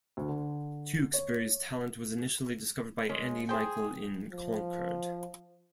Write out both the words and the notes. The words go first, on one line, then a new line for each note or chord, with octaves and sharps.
Tewksbury's talent was initially discovered by Andy Michael in Concord.
D2
D3
C#5
G#3 C#4
G#4 C5 G5
F3